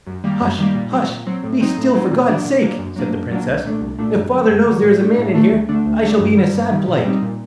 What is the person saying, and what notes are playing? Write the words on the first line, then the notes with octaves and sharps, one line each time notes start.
'Hush! hush! be still for God's sake', said the Princess; 'if father knows there is a man in here, I shall be in a sad plight.
F#2
D#3 G3 A#3
F#2
D#3 G3 A#3
A#2
F#3 C4
A#2
F#3 C4
A2
F#3 C4 D#4
A2
F#3 C4 D#4
A#2
F#3 A#3 D4
A#2
F#3 A#3 D4
F#2
F#3 A#3 D4
F#2
F#3 A#3 D4
C2
A#2 A3 D4
C2
A#2 A3 D4
F#2
D3 F#3
F#2
D3 F#3
A2
A3 D4
A2
A3 D4
D2
D3 A3 D4
D2
D3 A3 D4
G2
D#3 G3
G2
D#3 G3
A#2
G3 C4 D#4
A#2